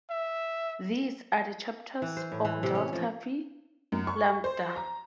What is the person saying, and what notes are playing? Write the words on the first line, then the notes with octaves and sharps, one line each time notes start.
These are the chapters of Delta Phi Lambda.
E5
E3
C5
A2
E3
C3
C#4
F3
F#2
C#6
C5
A#5